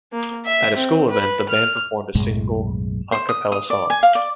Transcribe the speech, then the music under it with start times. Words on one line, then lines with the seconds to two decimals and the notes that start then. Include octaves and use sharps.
At a school event, the band performed a single a cappella song.
0.13 A#3
0.45 E5
0.76 C4
1.10 B4
1.49 F6
2.15 B1 F#2 A2 G#3
3.12 C5
3.29 D#6
3.52 D#6
3.70 D5
3.90 G#5
4.03 F5
4.15 D5